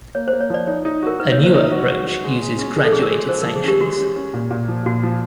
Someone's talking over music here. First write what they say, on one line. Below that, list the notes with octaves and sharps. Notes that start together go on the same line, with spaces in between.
A newer approach uses graduated sanctions.
A#3 C#5
C5
A#3
C#5
F3 D5
D#4 C#5
D#4
F#4 A#4
D#4 B4
C#5
A#3
C5
D#4 B4
F#4
F#4
F#4
G#3
G#3
C#4
F3 G#4
A4
C#4 G#4
A#4
G#3
F3 C5
F3 A#4
G#4
C#4 G4
G#3 F#4
C#4
C#4
A#2
A#2
F3
A#2 F#4
F3